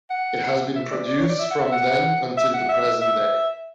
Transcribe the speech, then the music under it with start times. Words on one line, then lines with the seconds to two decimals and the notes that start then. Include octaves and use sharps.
It has been produced from then until the present day.
0.10 F#5
0.75 E5
0.91 D5
1.08 D5
1.19 C#5
1.29 D5
1.39 E5
1.51 F#5
1.61 E5
1.72 F#5
2.37 E5
2.54 F#5
2.69 E5
3.01 E5